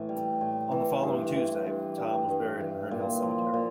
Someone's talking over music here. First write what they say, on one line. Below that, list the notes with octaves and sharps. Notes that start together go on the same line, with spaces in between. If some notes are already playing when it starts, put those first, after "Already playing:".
On the following Tuesday Tom was buried in Hernhill cemetery.
Already playing: A2 E3
G3
A2
E3
G2
E3
G2
G3
G2
E3
A#2
F3
A#2